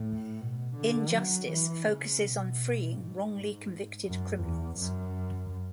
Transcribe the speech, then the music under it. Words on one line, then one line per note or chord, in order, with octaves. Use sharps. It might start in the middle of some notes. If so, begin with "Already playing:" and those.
"In Justice" focuses on freeing wrongly convicted criminals.
Already playing: A2
B2
D3
F#3
E3
C#3
B2
G#2
F#2
E2
F#2